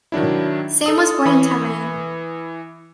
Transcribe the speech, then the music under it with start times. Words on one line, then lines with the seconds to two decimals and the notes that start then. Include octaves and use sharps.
Sam was born in Tehran.
0.12 D#3 F#3 D4 E4
0.86 A4 D#6
1.26 E3 B5 D#6